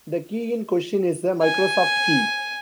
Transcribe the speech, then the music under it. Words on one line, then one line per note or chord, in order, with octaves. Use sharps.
The key in question is a Microsoft key.
G#5